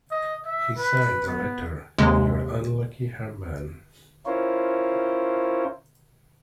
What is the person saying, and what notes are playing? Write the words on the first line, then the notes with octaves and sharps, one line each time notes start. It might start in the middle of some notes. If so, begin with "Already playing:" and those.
He signed the letter 'your unlucky Hermann'.
D#5
E5
B4
B3
D#2 C3 G#3
C#4 E4 F4 A#4 C5 C#5